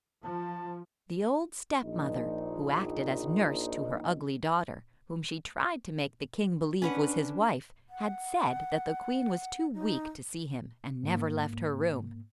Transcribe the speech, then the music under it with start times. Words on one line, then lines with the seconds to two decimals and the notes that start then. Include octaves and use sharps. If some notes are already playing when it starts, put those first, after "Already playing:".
The old stepmother, who acted as nurse to her ugly daughter, whom she tried to make the king believe was his wife, had said that the queen was too weak to see him, and never left her room.
0.24 F3 A5
1.82 A#1 D#4
6.82 C#4 D4 B4 F#5
7.89 F#5
9.74 D#4
11.03 G#2 A#3